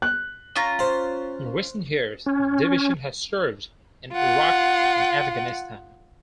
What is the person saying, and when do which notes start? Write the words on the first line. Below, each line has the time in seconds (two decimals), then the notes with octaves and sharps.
In recent years, the division has served in Iraq and Afghanistan.
0.02 F#6
0.56 C#4 F4 A#5
0.79 C5 F5
2.26 C#4
4.13 F4 F#5